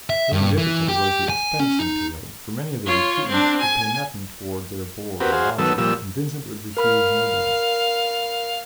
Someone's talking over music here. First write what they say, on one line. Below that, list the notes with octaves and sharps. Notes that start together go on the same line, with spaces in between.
The only difficulty was the expense entailed, for many of the retreatants could pay nothing toward their board and lodging, and Vincent would refuse nobody.
E5
G2
E3
G4
G#5
C#4
D#4
F4 C#5
C4 D4
G#5
C4 F#4 G4 A#4 B4
F#4 G#4 C5 F5
D#3 F#3 B3 A4 E6
A#2 F3 G3 E6
A#4 F5 B5 F6